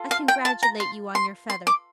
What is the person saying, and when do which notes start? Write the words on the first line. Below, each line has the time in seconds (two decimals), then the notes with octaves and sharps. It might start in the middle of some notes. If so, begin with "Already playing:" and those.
I congratulate you on your feathers.
Already playing: F4 A4
0.11 F5
0.28 G5
0.45 A5
0.63 A#5
0.80 C6
1.15 C6
1.50 C6
1.67 D6